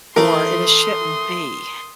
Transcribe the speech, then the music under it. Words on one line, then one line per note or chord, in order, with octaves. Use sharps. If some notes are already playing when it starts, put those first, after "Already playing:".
or it, uh, shouldn't be.
E3 A3 A#4 C6 D#6